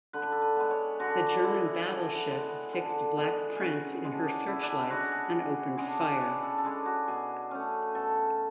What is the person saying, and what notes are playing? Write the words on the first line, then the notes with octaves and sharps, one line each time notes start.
The German battleship fixed "Black Prince" in her searchlights and opened fire.
D3 B4
A4
B4
G#3 B3
C#5
D3 F#4
G#3 B3 E4
E4
D3
G#3 B3
D3
G#3 B3
C#3 F#4 G#4
G#3 D4
C#3 E4
D4
E4
G#3 D4 F#4
G#4
C#3
G#3 D4 G#4
B4
C#3 C#5
A4
A4
G#3 D4 G#4
F#4
B2 G#4
A3 C#4
B2 A4